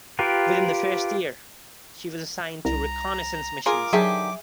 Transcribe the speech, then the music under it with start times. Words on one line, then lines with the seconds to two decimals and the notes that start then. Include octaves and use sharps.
Within the first year, she was assigned to reconnaissance missions.
0.19 F4 G4 A#4 B4
2.65 C2 A#5
3.66 G#3 F4 G#4 A#4 D6
3.93 D3 D#3 F#3 G4 G#4 E5